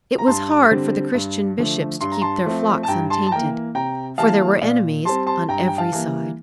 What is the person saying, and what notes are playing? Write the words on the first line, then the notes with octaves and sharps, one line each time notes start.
It was hard for the Christian bishops to keep their flocks untainted, for there were enemies on every side.
A#5
G2 A5 C6
D3 G3 C4
G2
D3 F3 A3
G2 C6
A#5
A5 C6
F3 A3 C4
A5
G2 G5 A#5
A5 C6
A5
E3 A#3 G5 A#5
C3 G5 A#5
E3 G3 A#3 F5 A5
A#2 D5 F5
G3 C4 A5 C6
A5 C6
G2 G5 A#5
G5
F5 A5
E3 G3 A#3